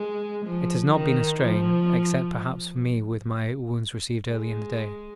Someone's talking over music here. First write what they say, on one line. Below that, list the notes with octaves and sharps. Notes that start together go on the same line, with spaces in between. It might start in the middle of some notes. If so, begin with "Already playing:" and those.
It has not been a strain, except perhaps for me with my wounds received early in the day.
Already playing: G#3
F3
D#3
F3
G#3